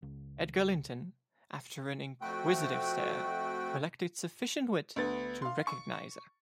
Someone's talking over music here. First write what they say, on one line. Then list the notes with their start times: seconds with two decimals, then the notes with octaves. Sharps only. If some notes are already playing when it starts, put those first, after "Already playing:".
Edgar Linton, after an inquisitive stare, collected sufficient wit to recognise her.
0.02 C#2
2.21 F2 A3 F#4 G5
4.96 D2 B3 A6
5.42 F5 C6
5.67 C#6